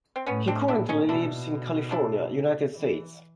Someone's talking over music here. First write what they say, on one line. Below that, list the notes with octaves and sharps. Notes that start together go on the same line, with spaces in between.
He currently lives in California, United States.
C4
A2 B3 C#4
C4 D4
A#2 D4 E4
C#4 D#4
B2 D4 E4
D4 E4
E3